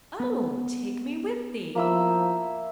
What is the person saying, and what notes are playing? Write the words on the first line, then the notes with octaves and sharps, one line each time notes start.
'Oh! take me with thee!'
B3
F3 A#3 E4 E6